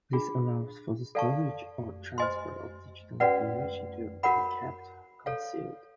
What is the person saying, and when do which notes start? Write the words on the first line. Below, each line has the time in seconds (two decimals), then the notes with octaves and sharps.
This allows for the storage or transfer of digital information to be kept concealed.
0.13 D4 F4 G#4
1.15 A4 D5 F5 A5 C#6
2.18 C5 D#5 G#5 C6
3.20 C#4 F#4 B4 D5 F#5
4.23 F#4 A#4 C#5 F#5 B5
5.26 A4 C#5 F5